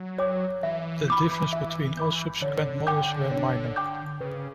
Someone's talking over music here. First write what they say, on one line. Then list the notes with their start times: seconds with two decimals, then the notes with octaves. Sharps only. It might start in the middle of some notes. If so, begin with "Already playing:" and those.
The differences between all subsequent models were minor.
Already playing: F#3
0.18 C#5 G5 D6
0.63 E3 E5
1.08 B5 D6 G6
1.53 E5
1.97 B5 D6 G6
2.42 D3 C#5
2.87 G5 D6 G6
3.32 C#5
3.76 G5 D6 G6
4.21 C#3 B4